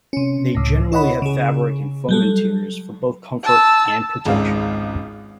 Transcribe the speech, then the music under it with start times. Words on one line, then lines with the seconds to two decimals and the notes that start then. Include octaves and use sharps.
They generally have fabric and foam interiors for both comfort and protection.
0.13 C3 C#4
0.55 C#2 A2
0.92 E4 C#5 D#5 F#5 B5
1.22 C#3 G#4
2.09 F#3 G3 A4
3.43 A5 E6
4.25 G#1 C#2 G#3 F5